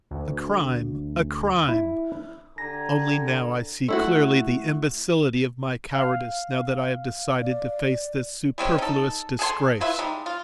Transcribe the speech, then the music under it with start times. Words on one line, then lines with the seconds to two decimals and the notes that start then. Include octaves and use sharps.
'A crime! a crime!' Only now I see clearly the imbecility of my cowardice, now that I have decided to face this superfluous disgrace.
0.11 D2
1.69 E4
2.58 D3 G4 G#5 A#5 A#6
3.88 A3 E4 F#4
5.95 F5
7.41 D5
8.58 G3 G#3 C4 C#4
8.78 D#4 A4
9.39 G#4 A4 G#5 C6
9.81 E4 F4 B4 E5
9.99 G3 G#3 D#4
10.26 F4